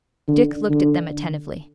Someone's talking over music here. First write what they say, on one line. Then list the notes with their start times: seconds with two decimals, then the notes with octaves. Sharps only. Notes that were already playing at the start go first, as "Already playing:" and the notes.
Dick looked at them attentively.
0.28 D3
0.70 D3